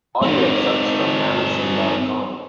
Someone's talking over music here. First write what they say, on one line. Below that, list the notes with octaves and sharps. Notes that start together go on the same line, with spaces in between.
Audio excerpts from Amazon dot com.
C4 D#4